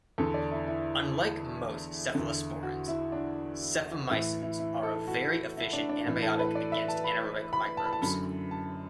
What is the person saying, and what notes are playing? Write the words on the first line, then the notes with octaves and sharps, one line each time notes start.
Unlike most cephalosporins, cephamycins are a very efficient antibiotic against anaerobic microbes.
E2 D3 A4
D5
E4
E4
E2 D3
F#4
E4
D4
A2 E3 E4
E4
E4
A4
F#4
E4
D4
D4
A2 E3
A4
B4
D5
E5
A5
B5
B5
A5
B5
A5
F#2 D3 B5
A5